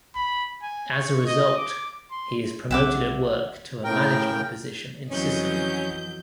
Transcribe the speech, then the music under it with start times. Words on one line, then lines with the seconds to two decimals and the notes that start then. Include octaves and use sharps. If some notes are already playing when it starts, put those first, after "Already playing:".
As a result, he is promoted at work to a management position in Sicily.
0.16 B5
0.62 G#5
0.92 C#6
1.26 D#5
1.57 D6
2.11 C6
2.71 B1 C4 E5 F#5 D6
3.84 A2 C#3 A#4 G5
5.11 F2 E3 F#3 C#4 D#5 G6